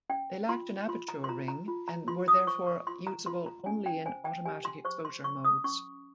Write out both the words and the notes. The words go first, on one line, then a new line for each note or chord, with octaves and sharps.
They lacked an aperture ring, and were therefore usable only in automatic-exposure modes.
C#4 G5
F4 C6
F4 C6
A#5
C6
F4 A#5
A#5
F4
A#5
F4 C6
D#6
C5 C#6
C#6
F4 C6
A#5
F4 C6
A#5
C#4 G#5
G5
C5 G#5
G5
G4 G#5
C6
C5 C#6
C6
C#4 C#6
D#6
C#4 C#6